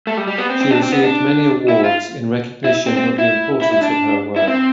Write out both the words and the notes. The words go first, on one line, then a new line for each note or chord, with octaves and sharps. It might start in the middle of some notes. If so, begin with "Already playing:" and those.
She received many awards in recognition of the importance of her work.
A3
G3
G3
B3
C4
C4
D4
C4
B3
D4
E4
F4
E4
C4
C4
E4
E4
E4
D4
E4
C4